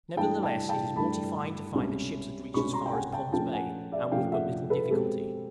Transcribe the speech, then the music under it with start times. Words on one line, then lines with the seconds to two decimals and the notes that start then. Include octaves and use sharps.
Nevertheless it is mortifying to find that ships had reached as far as Pond's Bay, and with but little difficulty.
0.16 G2 E3 A3 D4 G5 A5
0.43 G5 A5
0.69 G5 A5
0.95 G2 E3 A3 D4 A5 B5
1.74 C2 B2 G#3 C#4
2.54 C2 B2 G#3 C#4 B5 C#6
2.73 A#5 C6
2.86 G5
2.93 F#5 G#5
3.13 G5 A5
3.32 A#2 F3 A3 C#4 G5 A5
3.52 F#5 G#5
3.92 D5 E5
4.11 A#2 F3 A3 C#4 F5 G5
4.32 E5 F#5
4.70 A4 B4
4.90 B2 G#3 C4 G4 A4